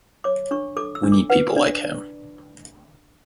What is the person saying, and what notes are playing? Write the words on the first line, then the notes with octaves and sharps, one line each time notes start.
We need people like him.
C#5 D6
D4 C#6
A4 D6
E6
D4
D6
B4 F#5
D4 D5